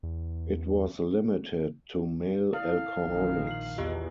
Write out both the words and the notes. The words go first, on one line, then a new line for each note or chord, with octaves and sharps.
It was limited to male alcoholics.
E2
E4 F5
A#1 A#2 D#3
C7 F#7
E2 F4 G4 D#5